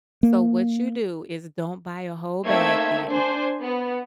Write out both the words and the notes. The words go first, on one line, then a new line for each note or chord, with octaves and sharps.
So what you do is don't buy a whole bag then,
A#3
A3 A#3 C4 D#4 E5 G#6
D4 C5 G#5
B3